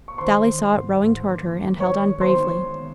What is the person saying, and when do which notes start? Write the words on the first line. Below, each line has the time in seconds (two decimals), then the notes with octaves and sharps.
Dolly saw it rowing toward her, and held on bravely.
0.08 C#6
0.18 D#3 C5 C6
0.46 D#3
0.72 G#2
1.00 G#2
1.26 A#3
1.53 A#3
1.80 D#3 C#5 C#6
2.07 G#3
2.21 C5 C6
2.35 D#3
2.61 G#3